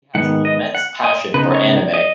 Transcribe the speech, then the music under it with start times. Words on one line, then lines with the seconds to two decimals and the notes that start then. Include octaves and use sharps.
He has an immense passion for anime.
0.15 G#2 D#3 B3 F#5
0.45 D#5
0.75 F#5
1.04 D#5
1.34 C#3 B3 D#4 B4
1.54 C#5
1.94 D#5